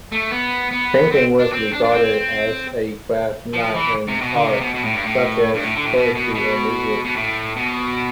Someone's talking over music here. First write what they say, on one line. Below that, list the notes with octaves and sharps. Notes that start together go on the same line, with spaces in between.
Painting was regarded as a craft, not an art such as poetry or music.
A3
B3
B3
C4
D4
C4
D4
D4
C4
F3
E3
C3
B2
D3
C3
B2
B2
A2
G2
A2
G2
A2
D3
A2
B2
B2
B2
B2
A2
B2